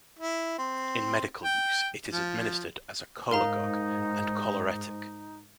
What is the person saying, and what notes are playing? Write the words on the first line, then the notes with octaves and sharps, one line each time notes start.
In medical use, it is administered as a cholagogue and choleretic.
E4
C4
G5
F3
G#2 D#4 A#4 F5 A#5